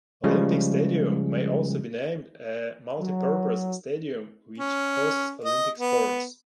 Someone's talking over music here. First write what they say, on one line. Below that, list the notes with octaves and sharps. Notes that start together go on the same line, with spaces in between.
Olympic Stadium may also be named a multi-purpose stadium which hosts Olympic sports.
C#3 F3 G3 G#3
F#3
C#4
D#5
B3